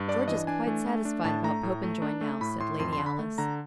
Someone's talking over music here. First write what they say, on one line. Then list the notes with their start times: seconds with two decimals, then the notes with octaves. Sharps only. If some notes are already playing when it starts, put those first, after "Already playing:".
"George is quite satisfied about Popenjoy now," said Lady Alice.
Already playing: G2
0.08 D4 D5
0.28 E3 D#5
0.47 D4 G#5
0.67 A3
0.87 A3
1.05 D4
1.24 A2 A5
1.44 A3 A#5
1.63 A2
1.83 A3
2.02 D4
2.21 A3
2.41 A2 B5
2.60 A2 C6
2.79 F2 C6
2.93 C6
2.99 D3
3.06 B5
3.19 A3
3.38 D3 A#5